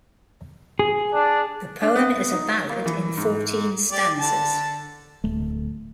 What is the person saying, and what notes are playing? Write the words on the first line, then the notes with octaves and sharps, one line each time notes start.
The poem is a ballad in fourteen stanzas.
G#4
D4
D4
B3
D#4
A#3
E3
G#2
G4 D5
D3 A5
D1 A3